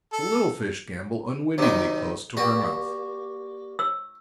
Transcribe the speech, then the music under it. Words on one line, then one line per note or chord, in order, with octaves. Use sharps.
The little fish gambol unwittingly close to her mouth.
A4
C3 D#3 F#3 C#4 F#4
A#3 F#4 G4 D5
E6